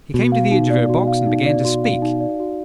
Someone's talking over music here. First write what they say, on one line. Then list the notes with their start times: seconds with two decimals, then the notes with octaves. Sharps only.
He came to the edge of her box, and began to speak.
0.14 B2 F#4
0.32 F5
0.51 D#4
0.70 D5
0.89 F#4
1.07 F5
1.27 D#4
1.46 D5
1.65 F#4
1.84 F5
2.02 D#4
2.20 D5
2.40 F#4